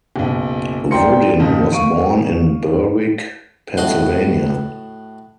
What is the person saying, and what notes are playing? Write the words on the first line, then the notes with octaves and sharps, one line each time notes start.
Woodin was born in Berwick, Pennsylvania.
F#1 B1
D5 G5 A#5 C6 C#7
F2 G#2 C#3 F3
F5 C#6 D7 D#7
A2 F#4 D#5 F#5 C6